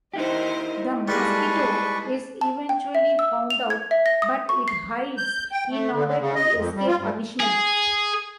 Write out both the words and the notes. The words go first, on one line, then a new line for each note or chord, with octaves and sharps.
The mosquito is eventually found out, but it hides in order to escape punishment.
D#4 E4 G4 A#4 C5 D#5
G3 G#3 A#3 G#4 A4 B4 D5 C#6
A5
G5
E5
E6
F7
G#6
E5
A#6
D#6
C#6
C7
G6
G5
A3
D3
D3
C#3
D#5
F2
G3
F4
G2
G#4